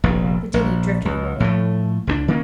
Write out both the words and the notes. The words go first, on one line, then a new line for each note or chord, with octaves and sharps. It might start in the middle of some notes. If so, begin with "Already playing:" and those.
The dinghy drifted away.
F1 A#1 D#2
A#1
C#2
A2 F3 F#3 A3
C#2 G3 D4
D#3 A#3 C#4